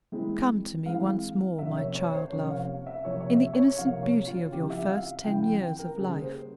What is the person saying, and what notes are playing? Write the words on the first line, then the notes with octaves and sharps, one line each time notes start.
Come to me once more, my child-love, in the innocent beauty of your first ten years of life.
E3 G#3 C4 E4
E3 G#3 C4 E4 F5
C3 F3 A#3 C#4 E5
C#5
C#5
C5
C3 F3 A#3 C#4 C#5
F5
E5
C3 F3 A#3 C#5
C#5
E5
C#5
C3 F3 A#3 F5
C#5
F4
C#3 F3 C4 E4 G4
E5
F5
C#3 F3 C4 E4 G5
G5
G5
A#4
C#3 G3 A#3 C#4 G#4
C5